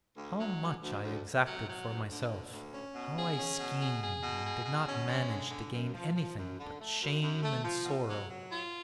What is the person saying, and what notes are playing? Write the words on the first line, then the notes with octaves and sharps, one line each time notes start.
'How much I exacted for myself; how I schemed and did not manage to gain anything but shame and sorrow!
D2
F#3
D2
D2
D2
D2
F#3
F#3
D2
D3
D2
D2
C#4
B2
G#4
C#4
B2
G#4
G#4
B2
G#4
B2
C#4
G#3
D3
D3
F#2
F3
F3
F#2
D3
A3
F#2
F#2
A3
F3
B2
F#3
F#3
F4